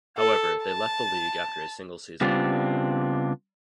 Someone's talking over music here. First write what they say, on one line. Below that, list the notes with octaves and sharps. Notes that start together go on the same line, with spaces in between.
However, they left the league after a single season.
A4
A5
C#3 G3 B3 C4 D4 F4